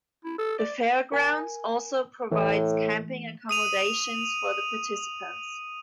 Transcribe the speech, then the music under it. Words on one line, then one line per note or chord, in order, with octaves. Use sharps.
The fairgrounds also provides camping accommodations for the participants.
E4
A4
D5
A#4 G#5
A2 E3 A3
D#6 D#7 F7